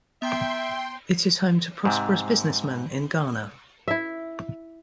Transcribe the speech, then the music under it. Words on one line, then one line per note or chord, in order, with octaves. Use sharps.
It is home to prosperous business men in Ghana.
B3 E5 G5 A#5 C6
G#2 C3
E4 E5